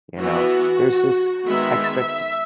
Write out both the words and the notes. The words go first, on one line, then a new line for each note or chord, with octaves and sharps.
you know, there's this expect
E3 B3 F#4
D#3 G#3 B3 E5